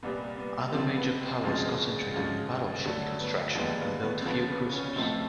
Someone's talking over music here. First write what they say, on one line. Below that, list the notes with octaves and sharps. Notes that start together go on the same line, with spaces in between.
Other major powers concentrated on battleship construction and built few cruisers.
C2 A#2 G3 B3
B3
C#2 C3 F3 C4
B3
C4
D2 C#3 F3 G#3
D2 C#3 F3 G#3
D2 D3 F#3 A3
B3
D#2 D3 F3 G#3 B3
B3
B3
C4
D2 C#3 F3 B3
B3
C#4
B1 A2 F3 A3 C4